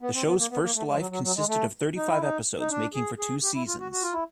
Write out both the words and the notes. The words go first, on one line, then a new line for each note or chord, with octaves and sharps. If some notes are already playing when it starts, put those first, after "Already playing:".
The show's first life consisted of thirty-five episodes, making for two seasons.
B3
C4
B3
A#3
B3
A#3
A3
G#3
F3
F#3
F#3
F#3
G#3
A3
D#4
E4
D#4
D#4
D4
G#4
G#4
G4
E4
F4
F#4
F#4
F4
E4